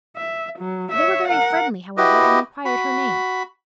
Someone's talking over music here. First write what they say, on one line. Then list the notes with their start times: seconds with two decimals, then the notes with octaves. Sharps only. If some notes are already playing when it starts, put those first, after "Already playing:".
They were very friendly, however, and inquired her name.
0.17 E5
0.59 F#3
0.92 C#5 E5
1.28 A#4 F#5
1.97 E4 F#4 G4 B4 D#5
2.65 F#4 B5